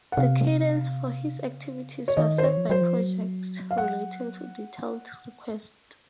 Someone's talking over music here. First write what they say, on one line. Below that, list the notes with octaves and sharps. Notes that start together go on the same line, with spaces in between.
The cadence for his activities was set by projects relating to detailed requests.
F#5
C3 F5
C#3
C#5
D#3 D#5
C5
C#5
F3
F#3 C5
F3
F#3
F5
F#5